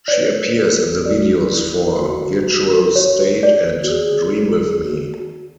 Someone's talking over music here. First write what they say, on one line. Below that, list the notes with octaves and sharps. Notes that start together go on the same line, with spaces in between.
She appears in the videos for "Virtual State" and "Dream With Me".
D5
B4 C#5
A4
G#4
A4
F#4 D5
E4
E4
F#4
C#5
D5
F#4
G#4
G#4
A4
G#4
F#4